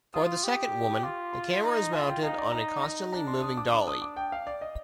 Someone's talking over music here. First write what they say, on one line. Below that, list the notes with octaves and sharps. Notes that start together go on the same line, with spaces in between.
For the second woman, the camera is mounted on a constantly moving dolly.
F4 D#6
G4
F4 D6
C6
D#4
F4 G#5
G5
D#4 F5
D5
D#4 A#5
A#5
D4 A#5
C6
D#6
D6
D4 D6
D#6
D6
G5
F5
D5
D#5